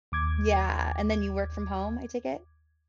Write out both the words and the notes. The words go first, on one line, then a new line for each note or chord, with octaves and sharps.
Yeah, and then you work from home, I take it?
D#2 D6 G#6